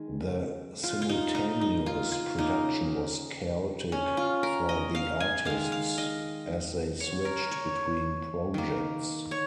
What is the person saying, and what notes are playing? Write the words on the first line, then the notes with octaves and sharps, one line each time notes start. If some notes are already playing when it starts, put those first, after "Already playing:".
The simultaneous production was chaotic for the artists, as they switched between projects.
Already playing: D#3 G#3
F4
F4
D#4
D#4
D#4
F4
F4
C#3 A#3 D#4
C#4
F4
A#4
D#5
F5
G#5
D#3 G#3 F5
F5
D#5
C#5
A#4
C#5
D#3 A#3
C#5